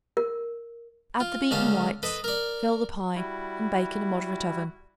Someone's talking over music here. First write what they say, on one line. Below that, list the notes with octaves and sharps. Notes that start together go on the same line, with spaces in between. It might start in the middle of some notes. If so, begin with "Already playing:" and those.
Add the beaten whites; fill the pie and bake in a moderate oven.
A#4
F4
C#2 D3 C#4 A4 F5
A4 B4 D#5
A#4 D5
G3 E4 F#4